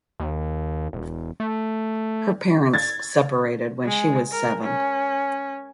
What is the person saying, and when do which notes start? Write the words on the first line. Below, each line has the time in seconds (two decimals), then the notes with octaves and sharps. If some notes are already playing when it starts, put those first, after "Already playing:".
Her parents separated when she was seven.
0.20 D#2
0.93 E1
1.40 A3
2.74 G#6 A6
3.85 G#3
4.32 A#4
4.63 C#4